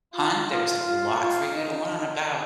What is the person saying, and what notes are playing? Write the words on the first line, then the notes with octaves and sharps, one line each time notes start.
hon, there's a lot for you to learn about
F4
F4
F4
F4
D#4